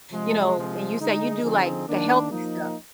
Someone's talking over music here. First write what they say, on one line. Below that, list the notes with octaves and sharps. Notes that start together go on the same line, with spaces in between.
you know, and you say you do, like, the healthy stuff.
C3 F3 G#3
C3 F3 G#3
D3 G#3 D#4 G#4
D3 F3 C4 D#4 G#4
D#3 A#3 D4
F3 A#3 D#4